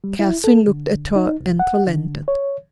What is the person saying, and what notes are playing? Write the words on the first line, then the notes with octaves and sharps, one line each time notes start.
Catherine looked at her and relented.
G3
E4
A4
D3
D#4
C2
F#5
D3
C#5